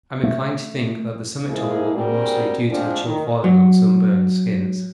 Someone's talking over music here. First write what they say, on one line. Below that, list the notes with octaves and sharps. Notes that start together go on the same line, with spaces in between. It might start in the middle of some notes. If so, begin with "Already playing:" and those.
I'm inclined to think that the summit trouble will be mostly due to the chill falling on sunburned skins.
A3
F3 G#3 A#3 E4 G#4
G3 C4 D4 F#4 G#4 A#4
D3 F3 G#3 C4 D4
D#3
F#3